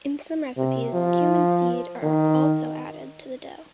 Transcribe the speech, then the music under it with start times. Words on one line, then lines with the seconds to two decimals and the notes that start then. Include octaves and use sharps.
In some recipes, cumin seed are also added to the dough.
0.57 C3
0.93 F3
2.03 D#3